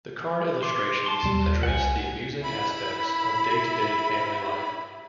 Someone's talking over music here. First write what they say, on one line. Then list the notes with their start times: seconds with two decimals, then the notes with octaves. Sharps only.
The card illustrations address the amusing aspects of day-to-day family life.
0.63 C6 D6
1.06 A5 C6
1.23 D#2 B2 G3
1.63 C2 F#5 G#5
2.42 E4 B5